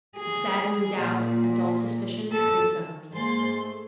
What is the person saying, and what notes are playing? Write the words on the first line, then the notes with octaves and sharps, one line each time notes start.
A saddening doubt, a dull suspicion, creeps over me.
G#4
A#2
A4
G#2 A#3 G#4 C5 C6 A6
A3